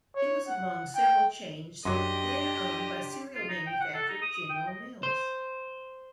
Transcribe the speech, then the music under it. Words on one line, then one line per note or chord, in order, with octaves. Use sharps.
It was among several chains then owned by cereal manufacturer General Mills.
C#5
F#5
G5
F#2 F#3 D4 G4 D#5 C6 D6
F4
D#4
G5
F#5
A4
D#4
D#6
D#6
G5
D#5
C5